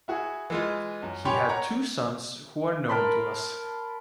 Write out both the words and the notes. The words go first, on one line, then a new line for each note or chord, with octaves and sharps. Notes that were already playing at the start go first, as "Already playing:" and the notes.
He had two sons who are known to us.
E4 F#4 G#4
E3 G#3 F4
F#2
G4 C#5 G#5 B5 C6
C#5 F#5 A#5
A#4 A5 B5 C6